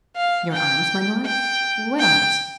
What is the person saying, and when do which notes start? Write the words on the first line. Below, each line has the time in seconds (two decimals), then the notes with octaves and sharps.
"Your arms, my lord--what arms?"
0.16 F5
0.52 G5
1.25 G5
1.99 G5